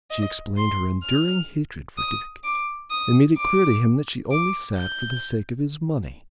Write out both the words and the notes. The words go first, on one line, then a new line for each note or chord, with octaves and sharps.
She explained her enduring hatred for Dick, and made it clear to him that she only sat for the sake of his money.
D#5
C6
F6
D#6
D6
D#6
D6
D6
G6